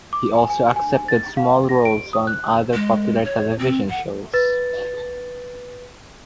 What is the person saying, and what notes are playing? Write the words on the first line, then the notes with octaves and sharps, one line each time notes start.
He also accepted small roles on other popular television shows.
D6
G#5
G#5
G#5
A6
F5
A#6
D7
D#6
F#6
G#3
C#5
C4
F#5
B4 A6